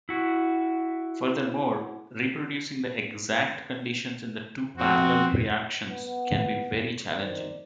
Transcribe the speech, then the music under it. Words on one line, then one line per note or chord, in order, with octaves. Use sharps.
Furthermore, reproducing the exact conditions in the two parallel reactions can be very challenging.
E4 F#4
F2 C4 F#4
B3
D#3 D#4 C5 D5